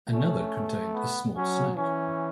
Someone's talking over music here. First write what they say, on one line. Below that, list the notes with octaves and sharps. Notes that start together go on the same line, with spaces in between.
Another contained a small snake.
A3 C#4
B3
F#3 C#4
E3 C#4